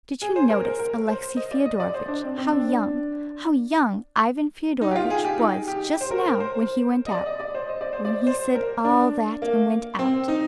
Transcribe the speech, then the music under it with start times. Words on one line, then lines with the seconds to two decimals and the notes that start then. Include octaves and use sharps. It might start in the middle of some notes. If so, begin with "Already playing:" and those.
Did you notice, Alexey Fyodorovitch, how young, how young Ivan Fyodorovitch was just now when he went out, when he said all that and went out?
0.22 G#4
0.36 C5
0.50 A#4
0.65 A#4
0.79 A#4
1.08 C5
1.36 D#5
1.51 D5
1.65 D#5
1.80 D5
1.94 C5
2.08 D4
2.23 C4
2.37 C4
2.52 D4
4.81 D#4
4.91 G4
4.95 F4
5.10 G#4
5.25 G4
5.39 D#4
5.68 G4
6.01 C5
6.11 A#4
6.26 A#4
6.40 C5
7.06 D#5
7.11 D5
7.26 D#5
7.40 D5
7.55 C5
7.69 D#5
7.81 D5
7.93 C5
8.05 D5
8.27 C5
8.55 A#4
8.84 D4
9.42 A#3
9.99 C4
10.28 D#4